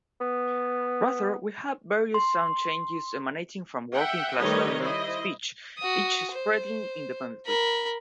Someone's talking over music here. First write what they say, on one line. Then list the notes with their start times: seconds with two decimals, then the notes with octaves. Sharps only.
Rather, we have various sound changes emanating from working-class London speech, each spreading independently.
0.21 B3
2.14 C6
3.93 E5 F#5 G5
4.37 D#3 G3 A3 B4 C#5 D#5
4.79 E4 C5 D#5
5.78 F#4 D#6
6.32 C5
7.46 A#4 B5